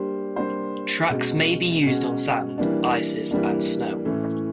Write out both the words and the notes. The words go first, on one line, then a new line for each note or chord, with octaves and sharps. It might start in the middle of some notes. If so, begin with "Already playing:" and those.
Tracks may be used on sand, ices and snow.
Already playing: G3 A#3 D4 G4 C5
G3 A#3 D4 G4 C5
B2 G#3 C#4 F#4
B2 G#3 C#4 F#4
E3 G3 A#3 D4
E3 G3 A#3 D4
A2 E3 A3 C#4